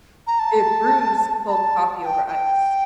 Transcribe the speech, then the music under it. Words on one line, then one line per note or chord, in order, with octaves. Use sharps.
it brews cold coffee over ice.
A#5
A5
A#5
A5
A5
G5
G5